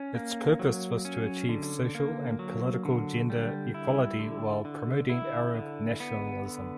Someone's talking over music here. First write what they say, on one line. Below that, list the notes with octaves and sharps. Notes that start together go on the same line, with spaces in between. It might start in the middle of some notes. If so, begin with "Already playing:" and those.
Its purpose was to achieve social and political gender equality while promoting Arab nationalism.
Already playing: C#4
A#3
F#3
C#4
D3
A#3
F#3
D3
G3
E4
D3
D3
E4
D3
B3
D3